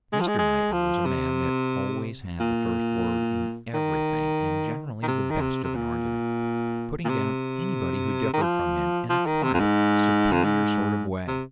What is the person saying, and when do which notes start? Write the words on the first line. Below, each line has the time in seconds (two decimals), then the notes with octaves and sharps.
Mr. Knightley was a man that always had the first word in everything, and generally the best of an argument--putting down anybody who differed from him in a quiet, superior sort of way.
0.13 G#3
0.21 F3
0.28 G#3
0.39 G#3
0.73 F3
1.06 C3
2.40 A#2
3.74 D#3
5.03 D#3
5.08 C3
5.31 D#3
5.41 C3
5.64 C3
5.76 A#2
7.05 A#2
7.09 C3
8.34 D#3
8.43 F3
9.10 F3
9.27 D#3
9.43 C3
9.54 F2
9.60 G#2
10.32 F2
10.44 G#2
11.28 C3